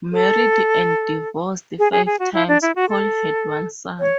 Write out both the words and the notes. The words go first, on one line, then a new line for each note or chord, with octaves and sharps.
Married and divorced five times, Paul had one son.
A4
G#4
G#4
G#4
F#4
E4
D4
E4
F#4
A4
C#5